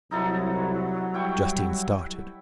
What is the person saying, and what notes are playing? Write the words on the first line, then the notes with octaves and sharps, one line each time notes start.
Justine started.
C2 F#3 D#4 E4 A4
G3 E4 G5 C#6